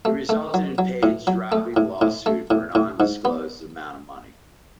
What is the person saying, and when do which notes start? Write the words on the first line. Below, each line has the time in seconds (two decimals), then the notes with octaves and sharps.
It resulted in Page dropping the lawsuit for an undisclosed amount of money.
0.05 A3
0.29 A3
0.54 F#3
0.78 F#3
1.03 A2
1.27 F#3
1.52 A3
1.76 A2
2.01 A2
2.26 A3
2.51 A2
2.75 A2
3.00 G#2
3.25 B3